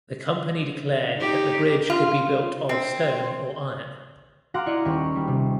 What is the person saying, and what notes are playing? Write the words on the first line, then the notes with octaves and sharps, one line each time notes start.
The Company declared that the bridge could be built of stone or iron.
D#4 G4
F4
C4
F#4 F5 F#5 A#5 C6 D6
E4 D5 D#5 C#7
D#1 G4 C#6
G3
C3